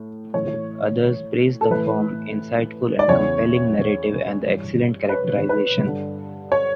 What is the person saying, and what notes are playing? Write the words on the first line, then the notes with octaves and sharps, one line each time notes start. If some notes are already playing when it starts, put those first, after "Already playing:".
Others praised the firm, insightful and compelling narrative, and the excellent characterization.
Already playing: A2
A2 E3 C#5
A4
A2 E3 B4
D5
E2 C#3 E3 C#5
G2 E3
B4
C#5
B4
G2 D3
C#5